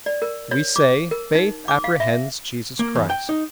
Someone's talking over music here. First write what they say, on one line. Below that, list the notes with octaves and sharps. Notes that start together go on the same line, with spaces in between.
We say, faith apprehends Jesus Christ.
D5
A#4
C#5
D6
A#4
D#4
D6
F5
E5
A#3
E2
G5
D#4